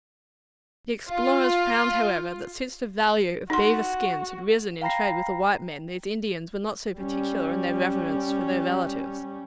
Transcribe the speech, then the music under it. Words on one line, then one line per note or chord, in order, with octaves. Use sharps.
The explorers found, however, that since the value of beaver skins had risen in trade with the white men, these Indians were not so particular in their reverence for their relatives.
F4
D#4 F#4 C6
F5 G5 A#5 B5 A#6 C7
G3 C#4